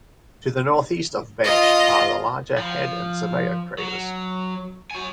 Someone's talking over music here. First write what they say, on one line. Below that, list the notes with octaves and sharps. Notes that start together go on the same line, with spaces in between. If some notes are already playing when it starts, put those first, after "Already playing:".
To the northeast of Bench are the larger Head and Surveyor craters.
F4 D#5
F3
F#3
F#4 G#5